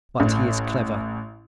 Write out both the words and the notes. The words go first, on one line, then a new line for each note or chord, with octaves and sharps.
But he is clever.
A1